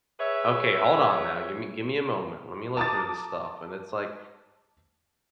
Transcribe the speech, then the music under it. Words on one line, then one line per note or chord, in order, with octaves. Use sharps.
"Okay, hold on now, gimme gimme a moment, let me look through this stuff," and it's like,
G#4 B4 C#5 E5
A5 A#5 D6 D#6 A6